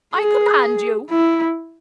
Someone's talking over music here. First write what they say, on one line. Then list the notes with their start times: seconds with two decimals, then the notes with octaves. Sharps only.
"I command you!"
0.15 G#4
1.10 E4